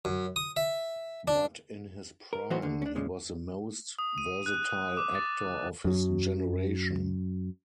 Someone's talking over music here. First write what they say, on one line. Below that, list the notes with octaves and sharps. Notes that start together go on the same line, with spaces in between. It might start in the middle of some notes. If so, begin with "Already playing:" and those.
But in his prime, he was the most versatile actor of his generation.
F#2
D#6
E5
D4
A#4
E3 F#3 B3 D#4 F#4 C5
D2 D3
C#4 D4
A#2 C#3 G#3
D#6
D#7
F#6
D6
A6
F#2 F#3